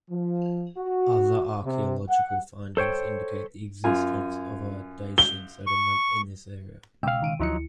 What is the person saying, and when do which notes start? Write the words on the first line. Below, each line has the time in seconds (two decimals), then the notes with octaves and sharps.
Other archaeological findings indicate the existence of a Dacian settlement in this area.
0.10 F3
0.77 F#4
1.63 C3
2.09 F#5
2.77 A4 C5 C#5 G5
3.84 F#2 F4 G#5
5.18 G7
5.67 C#6
7.03 C#2 B2 F5 G5 E6
7.22 D#3 D7 D#7
7.40 D2 F3 F#3 D#4 E4 C#7